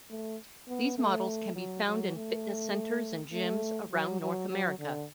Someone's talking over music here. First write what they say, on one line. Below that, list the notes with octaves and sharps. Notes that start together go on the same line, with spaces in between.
These models can be found in fitness centers and gyms around North America.
A3
B3
A3
F#3
F#3
A3
A3
F#3
F#3
F#3
D3